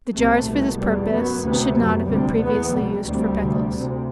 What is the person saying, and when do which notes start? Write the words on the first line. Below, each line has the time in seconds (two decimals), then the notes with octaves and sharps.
The jars for this purpose should not have been previously used for pickles.
0.13 C2 C3 A3
0.46 C2 B2
0.78 E2 B2 G3
1.10 F#2 B3
1.43 D2 C3 B3
1.75 F#2
2.07 D2 C3 G3
2.39 E2 B2 B3
2.72 C2 B2 G3
3.04 D2 C3 G3
3.37 D2 C3
3.69 D2 C3